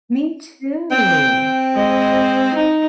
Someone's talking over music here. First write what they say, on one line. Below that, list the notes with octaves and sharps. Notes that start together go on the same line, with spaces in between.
Me too,
C4 G5
G#3 D#5
D#4